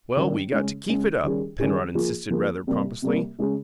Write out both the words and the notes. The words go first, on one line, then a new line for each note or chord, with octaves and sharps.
"Well, we got to keep it up," Penrod insisted rather pompously.
D#3 G3 C#4
C#3 G#3 C#4
C#3 G#3 C#4
D#3 G3 C#4 G#4
D#3 G3 C#4 G#4
F3 A#3 F4 G#4
F3 A#3 F4 G#4
C3 G3 A#3
C3 G3 A#3
C#3 G#3 C#4 G#4